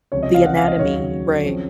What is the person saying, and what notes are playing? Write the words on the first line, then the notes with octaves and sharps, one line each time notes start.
The anatomy. Right.
C#2 C3 F3 C#5
D#5
F5
F#5
F5
D#5
D#2 C#3 F#3 C#5
C#3 F3 C4